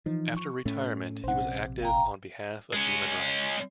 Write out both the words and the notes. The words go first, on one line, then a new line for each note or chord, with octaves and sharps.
After retirement he was active on behalf of human rights.
E3 F3 D#4
C#6
A2 A3 C#4
A#1 C3 C5 F#5
G#1 F5 G5 A#5
G#3 C#4